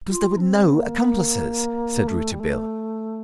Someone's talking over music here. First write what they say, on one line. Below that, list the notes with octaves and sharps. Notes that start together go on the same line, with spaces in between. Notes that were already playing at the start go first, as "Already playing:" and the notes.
"Because there were no accomplices!" said Rouletabille.
F4
D4
C4
A#3
A3
G3
A3